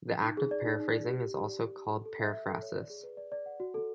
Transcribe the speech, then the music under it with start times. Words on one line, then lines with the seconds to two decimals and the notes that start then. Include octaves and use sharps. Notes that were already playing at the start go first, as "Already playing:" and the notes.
The act of paraphrasing is also called "paraphrasis".
0.23 D#4
0.37 G#4
0.51 D5
0.65 D#4
0.80 D#4
0.93 D5
1.07 G4
1.22 G4
1.35 G4
1.49 D5
1.64 G4
1.77 G4
1.92 A4
2.05 A4
2.20 E5
2.34 E5
2.48 A4
2.62 C#5
2.75 D5
2.90 G#4
3.03 B4
3.17 D5
3.32 D5
3.46 F#5
3.60 F#4
3.74 A4